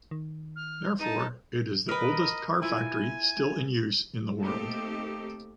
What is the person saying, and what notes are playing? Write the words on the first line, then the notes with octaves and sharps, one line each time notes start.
Therefore, it is the oldest car factory still in use in the world.
D#3
F6
D#4 A5 D#7
A#4 B4 D#5
E4 F4 G#5 B5
A3 A#3 C4 D#4 G4 A4